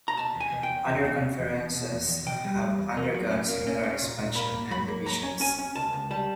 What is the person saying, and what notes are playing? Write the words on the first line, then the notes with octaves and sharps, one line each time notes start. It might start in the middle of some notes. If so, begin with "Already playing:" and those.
Other conferences have undergone similar expansion and division.
A#5
B2 A5
E2
G#5
B2
G5
E2
E2
B2
E2
E2
B2
B2
E2
E2
B2 G5
G3
G3
E2
A#3
F#3
C#4
A#3
C#4
C#4
A#2
A#2
A#3 B5
A#3
F#3 B5
A#3
F#3 A#5
C#4
C#4 G#5
C#4
C#2 A5
C#2
G3 A5